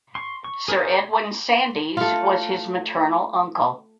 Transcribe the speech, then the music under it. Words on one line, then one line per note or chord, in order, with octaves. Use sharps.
Sir Edwin Sandys was his maternal uncle.
C6 C#6
C#6
G#4 A#4 C5 D5
A3 F4